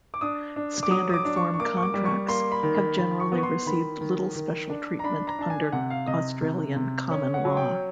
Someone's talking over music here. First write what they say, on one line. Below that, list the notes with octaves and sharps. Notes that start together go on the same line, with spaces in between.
Standard form contracts have generally received little special treatment under Australian common law.
D6
D4 D#6
D4
D6
F#3 D#6
D#6
D6
D4
C#6
C#6
A#3 D6
C#6
D6
G3
C#6
A#3 C6
B5
D#3
B5
D#3 B5
C#6
B3
C#6
C6
D#3 B5
D#3
D#3
D4
A#5
D4 B5
A#5
D4 A5
G#5
C3 F#5
F5
C3 D#5
C3
C3
C#4
F#5
F#3
G5